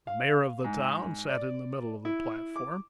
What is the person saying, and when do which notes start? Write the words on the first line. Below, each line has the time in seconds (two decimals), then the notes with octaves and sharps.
The mayor of the town sat in the middle of the platform.
0.07 F5
0.64 G#2
1.30 D5
2.05 E4
2.56 D6